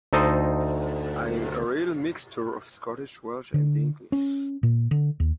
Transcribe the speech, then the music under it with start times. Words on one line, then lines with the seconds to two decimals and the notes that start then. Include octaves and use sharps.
I'm a real mixture of Scottish, Welsh, and English.
0.13 D2 D#4 A4 C5 D#5
3.54 D3
4.12 C#4
4.63 A#2
4.91 D3
5.20 D#2